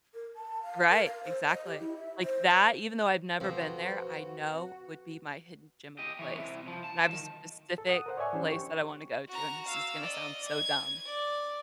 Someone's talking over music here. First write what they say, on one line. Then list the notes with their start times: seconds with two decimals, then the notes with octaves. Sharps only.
Right, exactly. Like that, even though I've never been there, I know would be my hidden gem of a place. And I have a specific place that I wanna go to, and this is gonna sound so dumb,
0.14 A#4
0.35 A5
0.63 F5
0.89 A#4
1.06 F5
1.24 C5
1.48 D#5
1.65 G4
1.79 E4
1.96 E5
2.23 C5
3.40 F2 F3 F#4 B4 C5
5.99 G4 D#5
6.19 E3 C#5
6.36 C3 E4
6.68 F3
6.84 A5
7.09 D#3 F3
7.78 A4
7.89 F#5 D#6
8.06 A#4 C5 F#5
8.17 C#5 D5 E5 G#5 C#6
8.33 E3 C#4 D4 G4 C5
8.49 G4 C#6
9.29 F#4 A#5
9.67 F5 E6
10.01 D5 D#5
10.49 G#6
11.06 D5